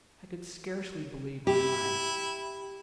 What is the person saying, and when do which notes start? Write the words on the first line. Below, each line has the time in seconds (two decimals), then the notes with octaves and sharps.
I could scarcely believe my eyes.
1.47 E4 G4